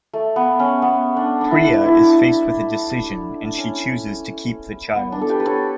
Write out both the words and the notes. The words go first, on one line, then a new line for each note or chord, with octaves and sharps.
Priya is faced with a decision, and she chooses to keep the child.
A3
B3
C#4
B3
D4
D4
E4
E4
E4
D4
C#4
B3
D4
A4
G4 B4
B4
A4 C#5